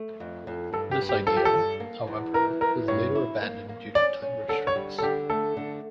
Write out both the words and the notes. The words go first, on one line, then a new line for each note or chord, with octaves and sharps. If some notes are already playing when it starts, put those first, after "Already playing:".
This idea, however, was later abandoned due to time restraints.
Already playing: A3
F2
F2
G2 A4
G4
G2
G4
F3 A4
G4
A4
G2
A#3
E2
E3 A#4
E3 A#4
G2 C#5
E4
A#3
A#3
C#4 D5
C#4
D3 A4
C#5
G3
A4
D3 G4
A3 A4
D3